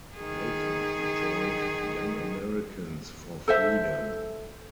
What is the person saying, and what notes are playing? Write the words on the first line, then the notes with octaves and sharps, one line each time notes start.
Later he joined Young Americans for Freedom.
D#3 G#4
A4 C5 E5